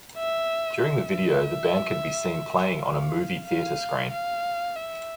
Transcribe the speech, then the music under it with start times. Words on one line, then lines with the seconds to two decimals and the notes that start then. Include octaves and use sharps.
During the video, the band can be seen playing on a movie theater screen.
0.17 E5
0.84 E5
2.79 F5
3.46 F5
4.11 F5
4.76 E5